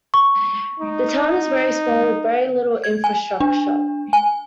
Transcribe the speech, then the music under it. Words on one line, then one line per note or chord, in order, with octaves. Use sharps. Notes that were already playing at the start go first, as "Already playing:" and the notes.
The town is very small with very little infrastructure.
C#6
D#4
G#6
G#5
D4
G#5